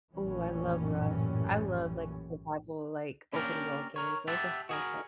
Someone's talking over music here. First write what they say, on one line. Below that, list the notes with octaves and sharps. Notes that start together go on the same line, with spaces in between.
Ooh, I love Rust. I love, like, survival, like, open-world games, those are so fu
A#1 F#2 A2 E3 G3 C#4
A#3 C#4 D4 G4 A#4
A#4 C#5
G4 E5 F#5 A5
F#4 G#4 A#4